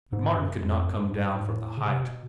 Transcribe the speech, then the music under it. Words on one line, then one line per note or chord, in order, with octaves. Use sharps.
But Martin could not come down from the height.
G#2
F#2
F2
F#2
G#2
G2
G#2
A2
C#3
C3
B2